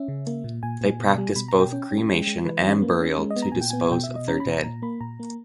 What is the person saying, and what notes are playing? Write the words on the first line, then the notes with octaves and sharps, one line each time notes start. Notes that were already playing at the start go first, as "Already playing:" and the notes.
They practise both cremation and burial to dispose of their dead.
Already playing: C#4 E5
C#3
A#3
A#2
A#2 G#5
A#2
B2
G3
B2 B5
A#5
B2
G5
C#4
C#4
G#3
G#3
E3 B4
C#4
A#3
C#4
G#3
D#5
B3
A#5
A#2 G#5
G5
B3 G#5
B2 G5
E5
B2
D#5
C#4 A#5
B5
B2
A#5
A#2 A#5
A#3 B5
A#2 A#5
A#3